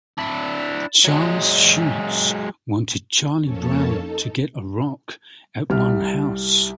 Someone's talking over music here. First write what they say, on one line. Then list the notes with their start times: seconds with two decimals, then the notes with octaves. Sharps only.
Charles Schulz wanted Charlie Brown to get a rock at one house.
0.18 D4 E4
1.04 F#3 G#3
3.40 F2 A#3 C#4 A4 C#5 A5
3.91 D#4 A4
5.70 C2 G3 F6